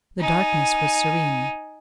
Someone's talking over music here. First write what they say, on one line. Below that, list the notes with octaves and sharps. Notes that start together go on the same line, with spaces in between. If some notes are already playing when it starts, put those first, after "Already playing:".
The darkness was serene.
D#4 G#5